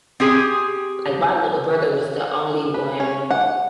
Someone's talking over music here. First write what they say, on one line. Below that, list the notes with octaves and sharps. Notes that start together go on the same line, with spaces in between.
like, my little brother was the only one
C4 G4 G#4
B4
C#4
F#5